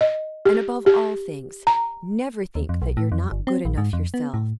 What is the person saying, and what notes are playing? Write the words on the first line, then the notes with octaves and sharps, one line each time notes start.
And, above all things, never think that you're not good enough yourself.
D#5
G4
G4
A#5
D#2
F2
B1
A2
F2
G1
C4
A#1
G#2
F2
B3
A2